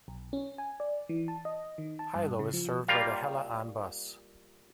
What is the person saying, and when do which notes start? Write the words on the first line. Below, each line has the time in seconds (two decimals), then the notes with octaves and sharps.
Hilo is served by the Hele-On Bus.
0.08 B1
0.33 C#4
0.58 G#5
0.80 D5
1.09 E3
1.28 A5
1.45 D#5
1.78 D#3
1.99 A5
2.15 G2
2.39 C#3
2.53 F3
2.88 G3 A#3 F4 F5